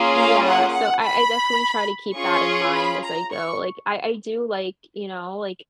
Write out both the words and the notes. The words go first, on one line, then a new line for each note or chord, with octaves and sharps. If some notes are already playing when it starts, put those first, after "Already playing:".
Yeah, so, I I definitely try to keep that in mind as I go, like, I I do, like, you know, like
Already playing: A#3 C#4 F4 G#4
F5
F#5
F#5
B5
C#4 F4 G#4 C#6
B5
A#5
C#6